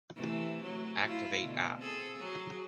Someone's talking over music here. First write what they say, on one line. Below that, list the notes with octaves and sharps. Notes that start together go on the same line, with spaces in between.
Activate app.
C3 E3 A3
F#3
A3 E4 F4
B2 D3
C4 G#4 A4
F#3 G#4